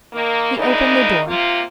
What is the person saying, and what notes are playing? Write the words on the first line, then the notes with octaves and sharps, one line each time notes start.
He opened the door.
D#3 A#3
A#2 C#3 E3 D4 D#4
C3 A#3 F4